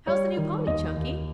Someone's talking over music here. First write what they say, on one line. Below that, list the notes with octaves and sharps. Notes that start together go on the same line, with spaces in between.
How's the new pony, Chunky?
G3 C#5
D#3
D#2 D#5
D#2